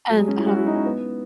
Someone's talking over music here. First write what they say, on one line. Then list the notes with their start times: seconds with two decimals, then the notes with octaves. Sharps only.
And, um,
0.10 F#3
0.18 G#3
0.28 C#4
0.37 E4
0.47 F#4
0.56 E4
0.66 D#4
0.76 C#4
0.85 B3